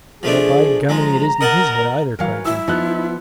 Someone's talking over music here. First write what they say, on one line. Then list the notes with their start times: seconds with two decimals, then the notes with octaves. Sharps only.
"Well, by gummy, it isn't his head either!" cried John.
0.23 F3 A3 D4 G#4
0.89 F3 G#3 A#5
1.41 A#4 D#5 F#5 A5
2.19 E3 F#3 A#4 F5
2.45 E4 E6
2.68 F3 B3 D#4 F#6